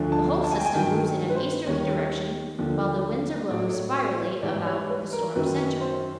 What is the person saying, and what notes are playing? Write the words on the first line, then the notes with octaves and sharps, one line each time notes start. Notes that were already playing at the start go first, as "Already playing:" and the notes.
The whole system moves in an easterly direction, while the winds are blowing spirally about the storm center.
Already playing: D2 D3 F3
A5
A5
G#5
G5
G#5
G2 D#3 F#3 G5
B4
C5
D#2 D#3 G3 C#5
D#2 D3 F3
A2 F#3 D5
C#5
C5
C#5
G#2 E3 G3 D5
D5
C#5
B4
A#4
F#2 D#3 F#3 B4
C5